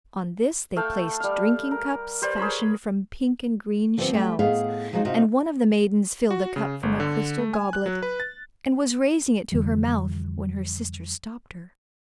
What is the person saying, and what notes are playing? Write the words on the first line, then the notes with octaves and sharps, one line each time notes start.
On this they placed drinking cups fashioned from pink and green shells, and one of the maidens filled a cup from a crystal goblet, and was raising it to her mouth, when her sister stopped her.
A3 A4 F5 G5
G3 F5
A#4
G4 B4 C5 D5
G#4 A#4 C#5 B5
D3 F3 G3 G#3 B3 C4
G3 A3 G4
A2 B3 G#4 D#5 F5
F3 F#3 G#3 D#4 F#4
C3 D#4 F4 F#4
F#4
C#3
G1
D3
A3
G#5
F#6
F#3
B4
A6
F2 D3 E3 G3